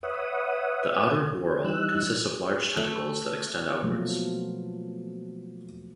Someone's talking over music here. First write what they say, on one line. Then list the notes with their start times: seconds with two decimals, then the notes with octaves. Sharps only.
The outer whorl consists of large tentacles that extend outwards.
0.03 B4 C#5 E5 F#5 D#6
1.64 E3 G3 D#4 E6 F#6
2.77 A3
3.83 B2 F3 F#3 A3 A#3